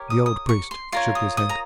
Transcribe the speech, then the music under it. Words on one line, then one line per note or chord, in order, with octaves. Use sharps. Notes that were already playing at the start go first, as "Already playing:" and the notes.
The old priest shook his head.
Already playing: G4 A#4 C#5
D#6
D#6
C#6
C6
F4 A#4 C#5 C6
D#6
D#6
A#5